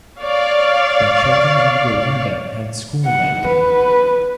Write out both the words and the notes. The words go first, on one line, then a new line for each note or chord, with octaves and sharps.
The children of Gowanda had school that day.
C#5 D5 F5
F#5
B4